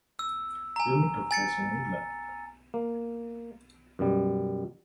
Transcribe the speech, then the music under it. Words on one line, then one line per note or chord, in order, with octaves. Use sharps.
Filming took place in England.
E6
G#5 A#5
G#5 A6 C#7
A#3
F#2 B2 G3